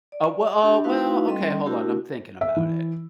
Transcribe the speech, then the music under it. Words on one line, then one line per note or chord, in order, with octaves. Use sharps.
Uh, we uh, well, okay, hold on, I'm thinking about it,
D5
D4 G4 B5
A3 D#4 E4 F#4 B4 F5
G3 C#4 A4 D#5 G5 C6
A3 D4 E4 F#4 G4 A#4
E5
E3